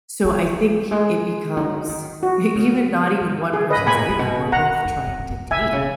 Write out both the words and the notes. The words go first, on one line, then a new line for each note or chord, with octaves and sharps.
so I think it becomes e even not even one person's giving, we're both trying to take,
F#3 G#4
G#3 G#4
F#3 D#4
D#3
F#4
C#3
B2
G#4
B4 D#5
G#2
A#2 G#5 B5
G#2
G#2
B2
B2 F#5 A#5
F#2
F#2
F#2
F#2
F#2
F#2
F#2
F#2 E5 G#5
B2
C#3